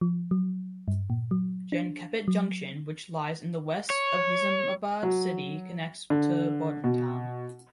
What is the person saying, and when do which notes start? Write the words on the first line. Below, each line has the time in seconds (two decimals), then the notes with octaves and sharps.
Jankampet Junction which lies in the west of Nizamabad city connects to Bodhan town.
0.01 F3
0.31 F#3
0.88 G2
1.10 A#2
1.31 F#3
1.72 D4
2.28 F#3
3.90 C#5
5.03 F#3
6.10 D3
6.84 B2